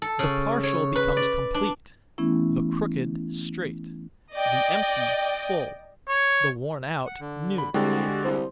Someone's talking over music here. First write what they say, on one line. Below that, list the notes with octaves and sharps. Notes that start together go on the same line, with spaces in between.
The partial becomes complete; the crooked, straight; the empty, full; the worn out, new.
A4
C#3
C#5
B4
D5
D4
E3 A3 B3 C#4 E4
D5 D#5 G5
C#5
F#5
D3
B5
C2 D3 G#3 F#4 G4 D5
C2 C5